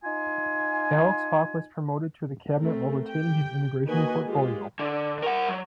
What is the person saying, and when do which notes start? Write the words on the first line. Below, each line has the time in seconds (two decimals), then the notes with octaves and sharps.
Alex Hawke was promoted to the cabinet while retaining his immigration portfolio.
0.05 D#4 F4 G#5
2.57 A3 C4 A#4
3.07 G4 G5
3.86 D#3 A#3 F#4 B4 D#5 G#5
4.26 G#3 F4 G4
4.79 D3
5.22 A#4 F#5
5.48 F#3